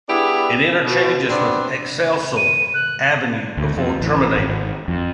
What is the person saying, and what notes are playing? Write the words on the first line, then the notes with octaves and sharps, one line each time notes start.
It interchanges with Excelsior Avenue before terminating.
B3 D4 E4 G4 G#4
B2
B3 C4 D4
D#7
F#6
D2
F2
A1
G#1
F2